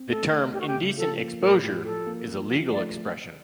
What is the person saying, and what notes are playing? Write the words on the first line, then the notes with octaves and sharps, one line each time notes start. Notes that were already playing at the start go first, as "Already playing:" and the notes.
The term "indecent exposure" is a legal expression.
Already playing: C4
A3 A4
A3
A3 G4
F#4
G4
C#3
F3 A4
A#3
A2 A#4
F3
F3 A4
A#3
F3
F3
A3 D5